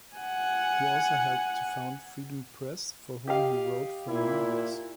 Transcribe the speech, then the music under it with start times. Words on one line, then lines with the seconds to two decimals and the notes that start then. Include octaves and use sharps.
He also helped to found Freedom Press for whom he wrote for many years.
0.16 F#5 G#5
3.28 G4 D#5 F5
4.07 A#2 E4